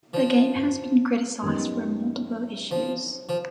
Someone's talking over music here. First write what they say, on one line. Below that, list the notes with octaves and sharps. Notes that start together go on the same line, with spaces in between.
The game has been criticized for multiple issues.
F3
F#2 D#3 G3 B3 D#4
F3
F3